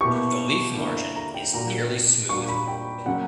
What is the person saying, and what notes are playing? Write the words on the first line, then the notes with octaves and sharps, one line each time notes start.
The leaf margin is nearly smooth.
B2 A#3 E4 G4 C#6
D3 A#3 E4
A#5
G5
A#2 A#3 D4 F#4 A#5
A#2 G3 A#3 D4 F#4 C#6
B5
G5
C#3 F#3 A#3 C#4 F#5